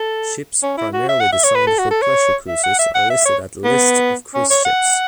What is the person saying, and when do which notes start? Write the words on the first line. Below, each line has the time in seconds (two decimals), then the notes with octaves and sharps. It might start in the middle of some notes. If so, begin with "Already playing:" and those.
Ships primarily designed for pleasure cruises are listed at List of cruise ships.
Already playing: A4
0.63 C#4
0.77 E4
0.94 F#4
1.09 E5
1.20 F#5
1.32 E5
1.44 C#5
1.55 B4
1.67 A4
1.78 F#4
1.91 A4
2.02 C#5
2.48 E5
2.64 F#5
2.79 E5
2.95 F#5
3.10 E5
3.25 C#5
3.64 B3
4.35 C#4
4.50 C#5
4.65 F#5